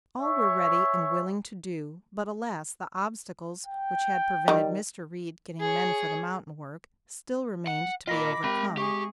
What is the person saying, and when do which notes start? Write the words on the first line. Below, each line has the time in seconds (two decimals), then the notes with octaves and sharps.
All were ready and willing to do; but, alas, the obstacles which had prevented Mr. Reed getting men for the mountain work still remained to be overcome.
0.20 G#4 C#5 E5 C#6
3.66 G5
4.48 D#3 G3
5.60 G#4 C#5
7.67 F#5
8.08 F4 A#4 D#5 B5 D6 A#6
8.44 G#3 G4 A#4 B5
8.77 G4 G#4 C#6